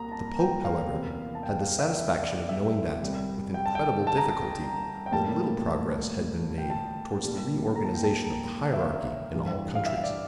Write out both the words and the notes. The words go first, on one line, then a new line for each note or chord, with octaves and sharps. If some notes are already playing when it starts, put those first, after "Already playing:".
The Pope, however, had the satisfaction of knowing that, with incredible difficulty, a little progress had been made towards the reorganisation of the hierarchy in all countries.
Already playing: C2 A#2 A#5
A5
G5
F5
E2 C3 G3 A#3
A5
G5
F5
E5
E5
D5
E5
C2 C3 G3
G5
A5
G5
A5
A#5
A5
G5
A2 G3 A#3 A5
G5
A5
A#2 G3 A#3
A#5
A5
G5
A5
E5
F5
G2 E3 G3 D4
F5
E5
E5
D5